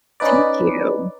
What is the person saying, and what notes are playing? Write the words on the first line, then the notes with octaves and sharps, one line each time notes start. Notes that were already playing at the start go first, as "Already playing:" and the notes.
Thank you.
C#4 D#4 B4 D5